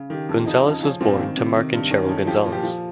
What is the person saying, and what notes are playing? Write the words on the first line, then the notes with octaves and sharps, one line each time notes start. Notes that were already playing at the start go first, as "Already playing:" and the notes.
Gonzales was born to Mark and Cheryl Gonzales.
Already playing: C#3
D#3 G4
F2
F3 D#4
C#3
F3 C#4
A#2 C4
D#3
C3
D#3
G2
D#3 C#4
F2
F3 G4
A#2
G4
F3